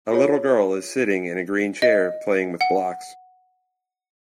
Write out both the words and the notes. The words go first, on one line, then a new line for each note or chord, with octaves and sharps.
A little girl is sitting in a green chair playing with blocks.
F4 G#4 C#5
D#5
F#5